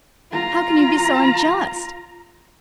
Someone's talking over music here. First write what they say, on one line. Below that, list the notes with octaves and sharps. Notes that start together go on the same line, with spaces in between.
How can you be so unjust?
F4 A#5